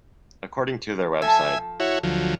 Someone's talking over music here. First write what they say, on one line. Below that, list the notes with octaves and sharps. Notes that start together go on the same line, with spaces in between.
According to their website.
F3 A4 E5 G#5
E4 F#4 C#5
D2 F3 F#3